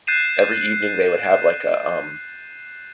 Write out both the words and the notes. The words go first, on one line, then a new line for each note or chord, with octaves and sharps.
every evening, they would have, like, a, um
F#6 G6 A6 C7 D#7 E7